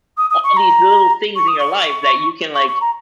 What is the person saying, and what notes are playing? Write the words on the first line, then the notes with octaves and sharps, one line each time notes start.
all these little things in your life that you can, like,
D#6
D#6
C#6
A#5
C#6
D#6
C#6
C#6
C#6
A#5